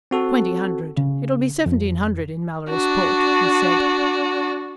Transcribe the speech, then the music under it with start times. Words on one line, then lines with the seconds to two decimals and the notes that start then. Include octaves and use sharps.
"Twenty hundred; it'll be seventeen hundred in Mallorysport," he said.
0.11 C4 F#4 A4
0.97 C#3
1.66 F2
2.70 D4 F#4